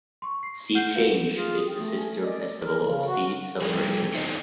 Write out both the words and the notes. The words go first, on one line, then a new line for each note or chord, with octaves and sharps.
See Change is the sister festival of See Celebrations.
C6 C#6
C7
F#5 F6 G6 C7
F4 F#4 B4 F5
F4 G#4
G5
A3
G#4
D5 D#5
A#4
C#3
F#4
F3 G3 G#4
D#4 A4 C5 D5 D#5